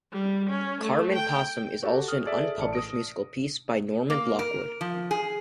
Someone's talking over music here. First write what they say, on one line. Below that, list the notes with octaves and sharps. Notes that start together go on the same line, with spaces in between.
Carmen Possum is also an unpublished musical piece by Normand Lockwood.
G3
C#4
A3
G5
F#4 G4 A4
D#6 F6
G#4 A4 D5 E5
A1 D5 A5 C#7
D#6 A#6 D7
A#3
A#4
F3
G#4